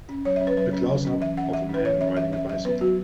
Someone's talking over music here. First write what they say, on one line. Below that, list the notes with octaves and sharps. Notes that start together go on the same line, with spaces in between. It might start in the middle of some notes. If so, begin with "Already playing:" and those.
A closeup of a man riding a bicycle.
C#4
F#3 C#5
E5
C#4
B4
F#3 B4
C#4
F#3
C#4
E3 E5
C#4 F#5
E3 E5
C#4
B4
E3 C#5
C#4 E5
E3 E5
C#4 E5
F#3 E5
B3 B4
F#3 F#4